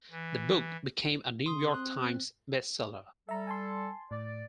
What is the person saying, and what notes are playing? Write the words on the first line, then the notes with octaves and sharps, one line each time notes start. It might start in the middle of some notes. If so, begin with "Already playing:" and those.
The book became a "New York Times" bestseller.
E3
C#3 C6 D#6
C4 F#6
G3 A4 E5 A#5
G#5 A5 C6
A2 D5